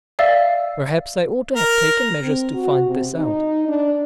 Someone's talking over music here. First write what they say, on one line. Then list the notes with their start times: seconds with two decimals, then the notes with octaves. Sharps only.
Perhaps I ought to have taken measures to find this out.
0.19 D5 E5 F5 E6 A6
1.56 A#4
2.21 C4
2.54 F#4
2.86 C3
3.17 D#4
3.68 D4